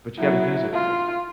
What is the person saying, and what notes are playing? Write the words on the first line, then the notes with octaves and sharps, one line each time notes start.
but you gotta use it right,
F#3 E4
F4